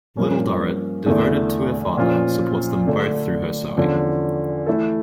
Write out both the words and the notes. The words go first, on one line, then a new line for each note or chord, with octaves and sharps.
Little Dorrit, devoted to her father, supports them both through her sewing.
G2 F3 A#3 C#4
E2 D3 A3 E4
A#2 F3 C#4 F4
D3 A3 D4
E2 D3 F3 C#4 F4
E3 A3 E4 A4